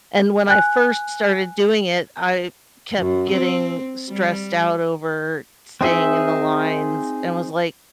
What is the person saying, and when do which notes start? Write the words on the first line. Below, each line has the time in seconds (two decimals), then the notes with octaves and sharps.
and when I first started doing it, I kept getting stressed out over staying in the lines and was like,
0.48 G#5 F#6
2.98 F#2
3.31 C4
4.10 G3
5.81 C4 D#4 G#4 E5